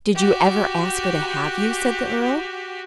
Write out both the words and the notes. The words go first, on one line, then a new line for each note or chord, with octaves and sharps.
"Did you ever ask her to have you?" said the earl.
F#4 G4